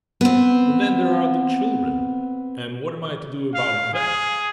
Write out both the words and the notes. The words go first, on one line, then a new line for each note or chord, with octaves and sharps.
But then there are the children, and what am I to do about them?
B3 C4
F5
G#4